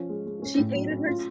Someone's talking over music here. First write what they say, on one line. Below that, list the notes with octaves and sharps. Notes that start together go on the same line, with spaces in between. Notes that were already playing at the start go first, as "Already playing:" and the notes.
She hated her s
Already playing: F3 C#4
G#3
G#3
C#4
A2
F#3
C#4
F4